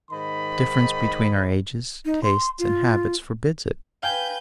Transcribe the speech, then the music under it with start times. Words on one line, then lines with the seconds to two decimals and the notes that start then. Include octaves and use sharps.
The difference between our ages, tastes, and habits, forbids it.
0.10 G#2 D#3 D#5 B5
2.05 D#4
2.23 C6
2.59 F4
4.03 B4 F5 G5 G#5 G6